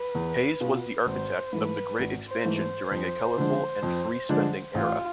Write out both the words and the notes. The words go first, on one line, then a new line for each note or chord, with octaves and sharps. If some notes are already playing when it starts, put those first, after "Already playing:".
Hays was the architect of the great expansion during a colourful and free-spending era.
Already playing: B4
E2
B2 B3 F4
G#1 C5
G#2 E3 A3 B4
G#1
C5
G#2 E3 A3
C5
F2
D3 F3 G#3 D4
F2
D3 F3 G#3 D4
A1 F4